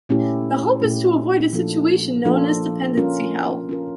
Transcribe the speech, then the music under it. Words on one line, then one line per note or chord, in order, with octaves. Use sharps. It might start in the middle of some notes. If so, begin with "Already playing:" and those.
The hope is to avoid a situation known as dependency hell.
A#2 A3 C#4 E4 G4
A#2 A3 C#4 E4 G4
F3 A#3 D4 F4 A4
F3 A#3 D4 F4 A4
C#4 F4 A#4
C#4 F4 A#4